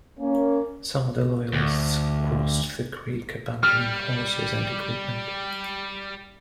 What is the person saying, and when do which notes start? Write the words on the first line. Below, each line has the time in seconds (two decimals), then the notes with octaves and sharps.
Some of the Loyalists crossed the creek, abandoning horses and equipment.
0.19 A#3 C#4
1.53 D2
3.63 G3 F6